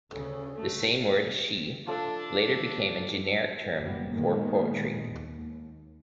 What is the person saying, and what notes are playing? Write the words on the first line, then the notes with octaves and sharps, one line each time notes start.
The same word "shi" later became a generic term for poetry.
D2 C#3 A4
A3 F#4
F3 D4 A4 E5
F#1 G3 A#3 B3
A#2 D#3 G#3 A#3 B3
D#2